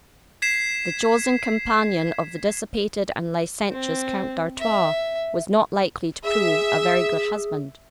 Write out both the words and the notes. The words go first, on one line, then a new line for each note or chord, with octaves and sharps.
The chosen companion of the dissipated and licentious Count d'Artois was not likely to prove a very good husband.
G#6 B6 C7 E7
C4
E5
G#4 E5